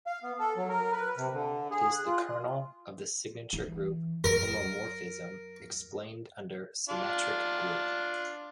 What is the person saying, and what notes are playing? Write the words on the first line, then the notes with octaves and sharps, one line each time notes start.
It is the kernel of the signature group homomorphism explained under symmetric group.
F5
B3
A4
F#3
A#4
B4
C3
D3
G#4
F#6
F4
E3
F#2 A#4
D4 F4